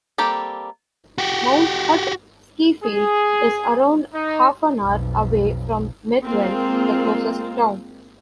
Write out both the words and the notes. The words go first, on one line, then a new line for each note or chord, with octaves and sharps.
Mount Hutt skifield is around half an hour away from Methven, the closest town.
G3 A#3 C4 G4 A4
F#4 G4
G#4
D#4
B1 F2
G#3 A#3 C4 F4